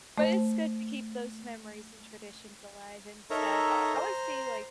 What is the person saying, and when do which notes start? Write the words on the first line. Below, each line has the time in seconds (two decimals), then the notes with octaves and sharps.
but it's good to keep those memories and traditions alive and stuff. I I always say, like,
0.18 A3 C5
3.30 D#4 A4 A#4 C#5 E5 A#5
3.94 C5 A#5